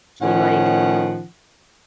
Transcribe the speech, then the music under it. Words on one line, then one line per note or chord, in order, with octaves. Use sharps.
he, like,
A2 D#3 F3 C#4 F#5